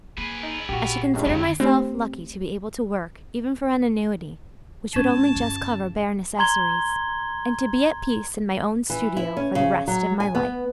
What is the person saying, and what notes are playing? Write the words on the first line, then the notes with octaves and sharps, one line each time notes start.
I should consider myself lucky to be able to work even for an annuity which would only just cover bare necessaries, and to be at peace in my own studio for the rest of my life.
A#3 G#4 B4
D#4
A#1 F#4 G4
C#2 G2 C#3
F2 D3 D#3 G#3
A3 C4 D4 G4
A1 G#2 C#4 A5 E7
G1 C#3
A#5 C6 G#6 G7
E3
E4
C#4
C#3
F#3
G#5
B3